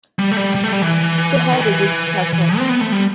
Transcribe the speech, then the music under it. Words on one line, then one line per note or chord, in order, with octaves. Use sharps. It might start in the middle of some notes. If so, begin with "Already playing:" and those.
So how does it stack up?
G3
A3
G3
G3
A3
G3
E3
D#3
E3
E3
C4
B3
A3
G3